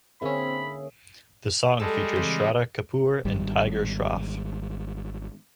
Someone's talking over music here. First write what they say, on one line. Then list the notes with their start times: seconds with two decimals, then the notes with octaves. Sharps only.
The song features Shraddha Kapoor and Tiger Shroff.
0.22 D3 A#3 C4 C#4 G#4 E5 B5
1.80 G3 G#3 A4
2.16 C#3 E3 C4 G4
3.25 G#1 G3